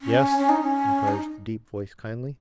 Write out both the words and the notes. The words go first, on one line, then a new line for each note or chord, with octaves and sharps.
"Yes," encouraged the deep voice kindly.
C#4
C#4
D#4
C#4
D#4